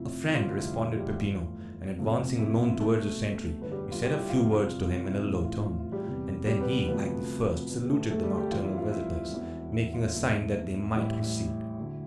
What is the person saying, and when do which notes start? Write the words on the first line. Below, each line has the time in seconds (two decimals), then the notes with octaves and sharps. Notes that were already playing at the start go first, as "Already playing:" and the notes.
"A friend!" responded Peppino; and, advancing alone towards the sentry, he said a few words to him in a low tone; and then he, like the first, saluted the nocturnal visitors, making a sign that they might proceed.
Already playing: F2 C3 F3 A3 E4
0.35 F1 F2 D3 G3 F4
0.56 E4
0.76 F4
0.97 G3 G4
1.17 G1 G2 E3 A3 F4
1.98 F2 C3 F3 A3
2.39 E4
2.49 E4
2.60 F4
2.70 F4
2.80 C2 B2 G3 A3 A4
3.61 G1 F2 D3 B3 B4
3.71 G3 G4
3.92 F4
4.02 G3 G4
4.16 E4
4.30 F4
4.43 F2 C3 G3
4.84 F4
5.04 E4
5.24 A1 A2 E3 A3 E4
5.35 F4
5.45 F4
5.55 E4
5.66 E4
5.80 F4
5.92 G3 G4
6.06 E2 C3 E3
6.47 G3 G4
6.61 B3 B4
6.88 D2 C3 F3 A3 B3 B4
7.69 G1 F2 D3 G3 B3 B4
7.85 G4
7.89 A3 A4
8.11 A3 A4
8.23 G3 G4
8.37 G3 G4
8.50 F2 E3 G3 F4
8.64 E4
8.78 F4
8.92 E4
9.33 E1 E2 B2
9.73 E4
9.94 F4
10.14 F1 E2 C3 E3 A3 E4
10.95 A1 A2 G3 E4
11.77 D2 D3 A3